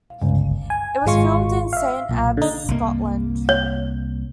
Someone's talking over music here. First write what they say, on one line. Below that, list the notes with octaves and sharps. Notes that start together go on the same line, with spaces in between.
It was filmed in Saint Abbs, Scotland.
G1 C#2
G#5
G#1 G#3 F4 C#6
E5 F5
B1 A#2
D3 D#4
C2 A#3
C#5